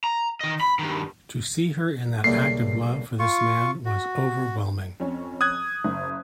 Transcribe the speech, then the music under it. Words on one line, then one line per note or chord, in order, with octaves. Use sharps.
To see her in that act of love for this man was overwhelming.
A#5
D#3 D#5
B5
G2 D#3
B1 C#3 G3 A3 A#3 C7
F4 C#6
F#4
F2 C#4
D#6 F#6 G#6
F#1